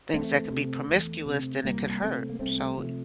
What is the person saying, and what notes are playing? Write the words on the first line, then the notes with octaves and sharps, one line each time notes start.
things that could be promiscuous, then it could hurt; so,
E2 A3 C4
C3
E2
C3
C2 G3 A#3
C3 A3 C4
A#3
C2 A3 C4
C3 F3 A3